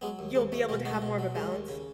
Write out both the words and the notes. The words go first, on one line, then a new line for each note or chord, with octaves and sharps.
you'll be able to have more of a balance.
F#3 G#3 B3
D#2
D#2 G#3
D#2 A3
B2 G#3
C#2 D#4 F#4
A3
B2
F#3
D#2 G#3
D#2
C#3